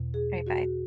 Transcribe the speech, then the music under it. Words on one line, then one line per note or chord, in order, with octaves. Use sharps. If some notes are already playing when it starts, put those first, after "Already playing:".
Alright. Bye.
Already playing: E2 B2
G#4
F#4